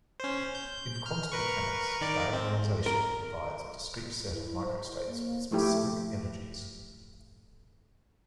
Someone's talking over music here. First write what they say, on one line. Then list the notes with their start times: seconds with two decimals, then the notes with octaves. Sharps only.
In quantum mechanics, diagonalization provides a discrete set of microstates with specific energies.
0.20 C#4 C5
0.55 G6
1.06 F6
1.32 A#4 B4 C#6
2.01 D#3 A#4 D5
2.33 C4
2.86 A#4
4.34 E4
4.62 C5
5.06 A#3
5.51 F3 A3 E4 G4